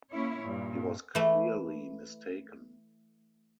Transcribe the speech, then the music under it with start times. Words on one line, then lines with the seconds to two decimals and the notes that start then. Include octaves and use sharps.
He was clearly mistaken.
0.11 A#3 C#4 E4 C#5
0.41 G2 A#2
1.15 E3 A3